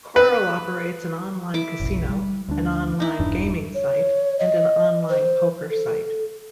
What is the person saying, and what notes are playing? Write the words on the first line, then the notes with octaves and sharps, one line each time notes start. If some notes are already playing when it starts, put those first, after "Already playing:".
Coral operates an online casino, an online gaming site, and an online poker site.
B4
E4 E5 D6
F#1 B1
G3
D2 D4
D#4 E4
E1 G2 D4
C#5
D#5
C5
A4